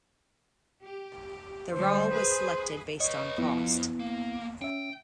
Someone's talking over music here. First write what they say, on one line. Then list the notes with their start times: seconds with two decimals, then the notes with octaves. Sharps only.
The "Rall" was selected based on cost.
0.82 G4
1.72 D3 G3 C5
2.12 G#4 B4
3.00 B4 C#5 D#5
3.38 F2 B3 E4
4.00 A#3
4.62 C#4 E5 G5